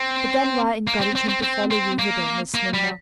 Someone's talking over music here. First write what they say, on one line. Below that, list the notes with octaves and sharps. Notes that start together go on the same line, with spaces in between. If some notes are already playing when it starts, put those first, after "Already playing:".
"But then why encourage him to follow you hither, Miss Milner?"
Already playing: C4
A#3
C4
C4
C4
C4
C4
A#3
A#3
G3